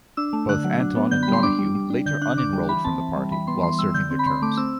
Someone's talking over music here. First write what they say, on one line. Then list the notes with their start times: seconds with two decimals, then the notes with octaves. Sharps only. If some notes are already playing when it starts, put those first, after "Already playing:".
Both Anton and Donoghue later unenrolled from the party while serving their terms.
0.17 D4 E6
0.33 A3
0.49 D3 F#6
0.64 F#3
0.80 D4
0.96 B3
1.11 D3 G6
1.23 G3 B5
1.33 C6
1.43 D4 D6
1.59 G3
1.75 G3
1.90 D4
2.06 D3 G6
2.22 D4 F#6
2.37 D3 D6
2.53 G3
2.69 E3 B5
2.84 C4 A5
3.01 E3
3.16 G3
3.32 E3 B5
3.47 B3 C6
3.63 E3 C6
3.79 G3 E6
3.94 D3 G6
4.11 C4
4.19 B5
4.26 D3 C6
4.42 A3 D6
4.57 C4 E6